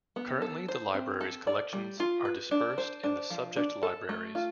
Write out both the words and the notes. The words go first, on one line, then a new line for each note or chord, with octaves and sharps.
Currently, the library's collections are dispersed in the subject libraries.
B3
A4
C5
C4
A4
D5
G3
F4
B4
D4
C5
D4
F3
D4
A4
A3
F4